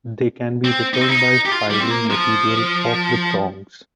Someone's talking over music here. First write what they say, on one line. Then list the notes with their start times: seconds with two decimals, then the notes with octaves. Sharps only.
They can be retuned by filing material off the prongs.
0.64 C4
0.94 D#4
1.01 C4
1.09 D#4
1.45 G4
1.51 F4
1.70 G3
1.81 C4
1.90 A#3
2.10 F3